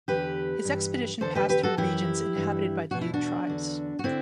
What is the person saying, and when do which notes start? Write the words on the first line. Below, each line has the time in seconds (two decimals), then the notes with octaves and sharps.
His expedition passed through regions inhabited by the Ute tribes.
0.08 E2 D3 G4 B4
0.64 G2 E3
1.21 E2 D3 A4 C5
1.35 G4 B4
1.49 G4 B4
1.63 F#4 A4
1.77 F#2 E3 E4 G4
2.35 G2 E3
2.91 E2 B2 F#4
3.01 E4
3.13 D4 F#4
3.47 E2 D3
3.99 F#4
4.04 D3 C4 E4